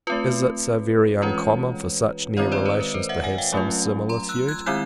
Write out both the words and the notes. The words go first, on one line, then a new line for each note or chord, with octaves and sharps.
Is it so very uncommon for such near relations to have some similitude?
A3 C4 F4 B4
E3 G#3 C#4 F4 B4 C#5
D#3 G#3 C4 F4 C#5 D#5
C5 D5
B4 C#5
B4
A#4 C5
E5 F#5
F#5 G#5
F5 G5
F#3 A3 C#4 F4
A#5 C6
E6 F#6
F#6 G#6
D#3 G#3 C4 E4 F6 G6